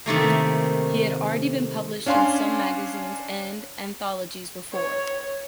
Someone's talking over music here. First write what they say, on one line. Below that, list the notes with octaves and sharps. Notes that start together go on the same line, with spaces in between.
He had already been published in some magazines and anthologies before.
C3 D#3 A3 A#3
C#4 D4 F5 G#5 C6
C#5